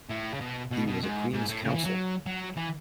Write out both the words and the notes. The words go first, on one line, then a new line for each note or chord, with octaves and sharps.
He was a Queen's Counsel.
A2
C#3
B2
B2
B2
G#2
G#2
A2
C#3
E3
F#3
F#3
E3